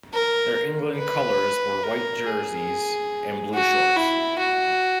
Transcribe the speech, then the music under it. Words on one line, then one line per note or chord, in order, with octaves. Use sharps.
Their England colours were white jerseys and blue shorts.
A#4
B4
A#4
G#4
F#4
E4
F#4